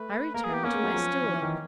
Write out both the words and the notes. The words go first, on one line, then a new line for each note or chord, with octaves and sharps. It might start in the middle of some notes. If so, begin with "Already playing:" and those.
I returned to my stool.
Already playing: A3 B4
A#3 A#4
G#4
B3 G4
A#3 C#4
G#3
F#3
F3
E3
E3
D#3